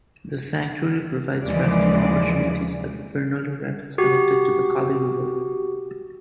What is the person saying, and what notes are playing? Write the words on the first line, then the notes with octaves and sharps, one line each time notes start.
The sanctuary provides rafting opportunities at the Virnoli Rapids connected to the Kali River.
D#2 C#3 E3 F3 G#3 D5
F#4 G4